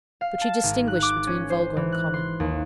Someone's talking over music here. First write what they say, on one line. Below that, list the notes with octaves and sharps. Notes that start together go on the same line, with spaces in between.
But she distinguished between vulgar and common.
F5
A5
G#1
F#6
D6
C#4
C5
E3
F#6
C6
D#2